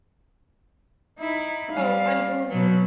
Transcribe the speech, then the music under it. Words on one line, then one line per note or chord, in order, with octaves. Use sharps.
Oh, I’m burning!
D#4 E4
G3 F5
B2 F#3